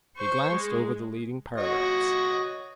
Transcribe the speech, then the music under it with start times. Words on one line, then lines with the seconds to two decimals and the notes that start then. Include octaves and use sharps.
He glanced over the leading paragraphs.
0.17 C5 C#6
0.51 G#3
1.58 F#4 C#5 D#5